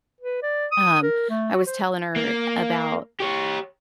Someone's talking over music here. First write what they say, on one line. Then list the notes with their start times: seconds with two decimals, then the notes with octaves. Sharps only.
um, I was telling her about
0.21 B4
0.43 D5
0.72 D#6
1.03 A#4
1.30 A3
1.54 F#4
1.67 C5
2.16 A#3
3.20 G4 C#5